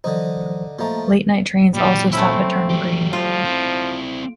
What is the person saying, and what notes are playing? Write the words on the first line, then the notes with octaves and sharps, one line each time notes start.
Late night trains also stop at Turnham Green.
D3 E3 F#3 D#4 C5
F3 A3 A#3 D#5 A#5
A#2 F#3 G3
A3 C4 C#4 E4
F#3 G4
F3 F4
C4 E4